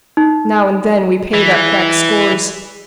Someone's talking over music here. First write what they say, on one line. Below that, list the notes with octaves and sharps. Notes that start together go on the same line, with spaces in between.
Now and then we paid up back scores.
D#4
E3